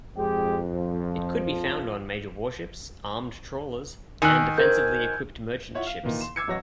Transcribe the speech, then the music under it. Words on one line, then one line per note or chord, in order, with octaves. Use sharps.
It could be found on major warships, armed trawlers and defensively equipped merchant ships.
F2 G#3 G4
F3
D#3 G#5 E6 F#6
A#4 C5 G6 G#6
E4 F4 C#5 E5 F#5
F5
A#2 D#3 E3
C6 E7
D6 E6 G#6 C7 C#7
A1 F#3 F#4 C#5 D#5 A#6